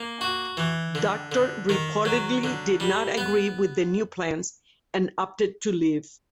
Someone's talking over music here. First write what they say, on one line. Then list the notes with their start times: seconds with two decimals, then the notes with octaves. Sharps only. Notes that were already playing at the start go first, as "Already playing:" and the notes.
Doctor reportedly did not agree with the new plans, and opted to leave.
Already playing: A#3
0.21 F#4
0.57 E3
0.95 D3
1.32 D3
1.69 D#3
2.05 F#3
2.44 D3
2.80 G3
3.17 B3